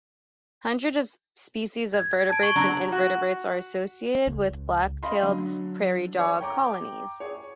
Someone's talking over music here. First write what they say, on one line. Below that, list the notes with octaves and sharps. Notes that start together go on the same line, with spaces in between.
Hundreds of species of vertebrates and invertebrates are associated with black-tailed prairie dog colonies.
G#6
A5 G#6 D7
C#6 F#7
F#3 D4 A#5
F#4
C#2
D#5 F5 B5 C6
D3 F#3
C#5
G5 A#5 D6
G#4 C#5